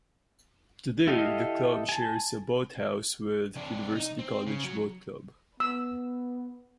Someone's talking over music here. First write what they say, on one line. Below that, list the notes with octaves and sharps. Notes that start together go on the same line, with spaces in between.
Today the club shares a boathouse with University College Boat Club.
E4 G4 A4 D#5 F5
G#5 A5
C3 D4
D#4
C4
C#3
F#3
B3 E6